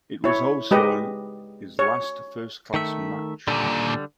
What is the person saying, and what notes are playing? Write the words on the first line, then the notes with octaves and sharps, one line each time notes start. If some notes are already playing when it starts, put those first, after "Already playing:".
It was also his last first-class match.
E4 C#5
G#3 G4 B4 D#5
C#5
D#3 A3 E5
D#2 A#2 D3 G3